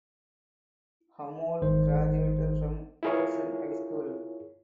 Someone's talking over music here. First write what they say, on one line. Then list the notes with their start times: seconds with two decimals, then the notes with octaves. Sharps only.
Hammoud graduated from Fordson High School.
1.62 G#1 D#3 C5
3.03 E4 F4 G#4 A#4 C#5